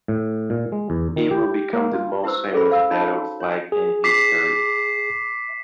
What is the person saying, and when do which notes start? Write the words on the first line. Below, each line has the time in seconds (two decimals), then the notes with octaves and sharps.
It would become the most famous battle flag in history.
0.08 A2
0.50 A#2
0.72 G#3
0.90 E2
1.16 D#3
1.31 G4
1.73 A#3
1.94 F4
2.24 E4 G4 B4 C5 E6
2.53 C#4 G#4 A4 C5 B5
2.70 C5 F5 E6
2.91 D#4 C#5 A5 B5
3.13 F#4
3.40 C#5 G#5
3.72 G#4
4.04 D6 B6 C7